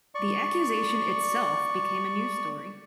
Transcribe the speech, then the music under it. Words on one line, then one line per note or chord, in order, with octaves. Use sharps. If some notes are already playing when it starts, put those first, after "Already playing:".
The accusation itself became a news story.
D5 C#6